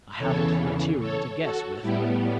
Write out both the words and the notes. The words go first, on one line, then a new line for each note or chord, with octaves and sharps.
I haven't the material to guess with.
E2 C#3 E3 A4 C#5
A4 C#5
F#4 A4
A2 G3 B3 E4 G4